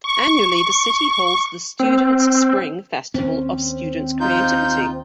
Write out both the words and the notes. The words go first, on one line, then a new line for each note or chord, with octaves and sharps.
Annually the city holds the "Students' spring" festival of students' creativity.
C#6
C4
D#2 C4 C#4
D#4 F4 G6